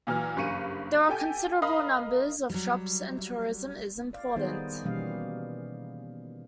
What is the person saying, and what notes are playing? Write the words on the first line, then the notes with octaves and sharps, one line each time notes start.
There are considerable numbers of shops, and tourism is important.
A#2 E3 F#3 F6
F#1 G2 A#3 C#6 C#7 D#7
G4 A4 G5 G#5
A#4 D#5 F5 B5 D#6
F#3 G3
D5 F5
D#3 G3 B3 D#4 G#4 C5
B2 E3 G3 A#3 C#4 F5